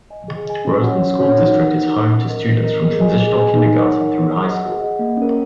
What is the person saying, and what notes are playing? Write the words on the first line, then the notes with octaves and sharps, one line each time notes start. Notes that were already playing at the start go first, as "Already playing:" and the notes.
Roseland School District is home to students from transitional kindergarten through high school.
D#5 G#5
G#4
D#5 G#5
C#4
F#4 C#5 F#5
C#4
F#4 C#5 F#5
D#4
A#4 F#5
D#4
A#4 F#5
C#4
A#4 D#5
C#4
A#4 D#5
G#4
D#5 G#5
G#4
D#5 G#5
D#4
A#4 C#5 F#5
D#4
A#4 C#5 F#5
G#4
D#5 F#5
G#4
D#5 F#5
A#3
C#4 A#4